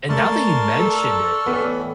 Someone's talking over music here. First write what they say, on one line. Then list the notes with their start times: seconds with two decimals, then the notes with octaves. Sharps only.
And now that you mentioned it,
0.09 A3 A#4 D5 A5 C6 C#6 F6
0.79 A4
1.46 A2 E3 B3